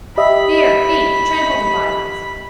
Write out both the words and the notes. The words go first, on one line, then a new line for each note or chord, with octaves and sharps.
Beer, beef, trample the bibles.
G4 D#5 E5 B5